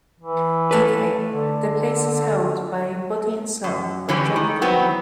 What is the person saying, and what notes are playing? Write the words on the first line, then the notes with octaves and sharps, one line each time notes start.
Today, the place is held by "Body and Soul" by Johnny Green.
E3
A3 A4 B4
D3
F#2
D3 E3 G3 C#4
D#3
F#3 B3 C4 E4